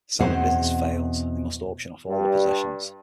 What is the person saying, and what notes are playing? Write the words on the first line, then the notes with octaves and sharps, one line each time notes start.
Sam's business fails, and they must auction off all their possessions.
E2 B2 C4 G#4 C5 F#5
G2